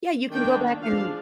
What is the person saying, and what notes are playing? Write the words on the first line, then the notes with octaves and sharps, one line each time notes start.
Yeah, you can go back and
D#3 A#3 D4 G5
F3 G#3 D4 F5